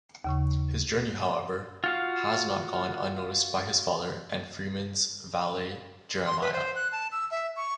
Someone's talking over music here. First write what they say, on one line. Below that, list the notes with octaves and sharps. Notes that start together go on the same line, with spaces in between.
His journey, however, has not gone unnoticed by his father and Freeman's valet Jeremiah.
D#2 C#3 C#6
F4 F#4 F5
C6
B4
C5
F#6
A5
E6
E5
C#6